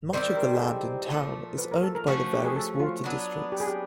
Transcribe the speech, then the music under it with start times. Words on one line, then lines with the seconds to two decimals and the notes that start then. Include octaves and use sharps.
Much of the land in town is owned by the various water districts.
0.13 D#3 G3 C4 E4 C5
0.37 A#4
0.45 G4
0.54 G#4
0.62 A4
1.10 A#2 F3 A3
1.58 B4
1.71 A#4
1.83 A4
1.95 A#4
2.07 F3 A3 C#4 F#4
2.33 G4
2.45 G#4
2.56 A4
2.80 F4
3.04 F#3 B3 D4
3.52 G4
3.60 G#4
3.67 G4